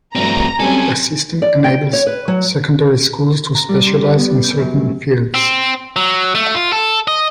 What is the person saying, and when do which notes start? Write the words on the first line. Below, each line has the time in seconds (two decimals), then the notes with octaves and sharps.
The system enables secondary schools to specialise in certain fields.
0.15 E2 G2 F#3 A3 C4 A#5
0.60 F#3 G3 C4 C#4 A4 G#5
1.42 D5
1.64 G5
1.93 C#5
2.07 B4
2.28 F#3
3.55 A#5
3.69 G3
3.86 C6
4.02 B4
4.17 B3
4.30 G3
4.44 G6
4.59 F#2
4.76 A2
5.34 C4
5.96 F#3
6.35 A3
6.55 F4
6.73 A4
7.08 D#5